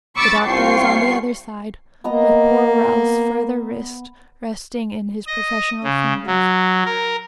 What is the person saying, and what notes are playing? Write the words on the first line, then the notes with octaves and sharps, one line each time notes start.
The doctor was on the other side, with poor Ralph's further wrist resting in his professional fingers.
B5 C#6 D6 E6 A6
C2 F4 G5 C#6 C7
A#3 B3 D#5 A#5
D#5
C#3
F#3
A#4